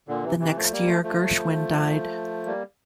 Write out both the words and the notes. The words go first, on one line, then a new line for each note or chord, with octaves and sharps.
The next year Gershwin died.
A#2 D3
C3 E3
C3 E3
F3 A3
G3 A#3
F3 A3
F3 A3
G3 A#3